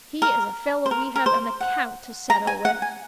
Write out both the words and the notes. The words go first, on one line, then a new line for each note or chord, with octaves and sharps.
"He is a fellow we have an account to settle with."
A#4
C5
A#4
A#4
C5
F#5
A#5
G#5
F#5
G#5